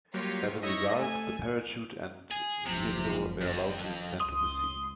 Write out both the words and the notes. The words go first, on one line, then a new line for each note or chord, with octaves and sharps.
As a result, the parachute and vehicle were allowed to descend to the sea.
F#3 G3 A#3 F4 G4 C#5
D#4 E4 C#5 D#5 C#6 A#6
A3 G#5
G#4
F#1 D#2 C3 F3
F2
C#2 C6 D#6